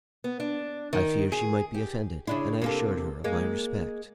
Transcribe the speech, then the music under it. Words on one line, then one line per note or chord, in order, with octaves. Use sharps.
I feared she might be offended, and I assured her of my respect.
B3
D4
D#3
G#4
G4
C#3 D4 E4
C3 A#3 A4
G#3 A#3